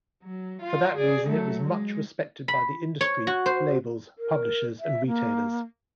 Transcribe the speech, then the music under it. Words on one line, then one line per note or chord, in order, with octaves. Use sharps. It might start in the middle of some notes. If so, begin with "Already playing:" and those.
For that reason it was much respected by the industry, labels, publishers and retailers.
F#3
F4
G#4 D5
F#3 A3
G#3
B5
C#5
F#4
C5
A#4
E5
A#3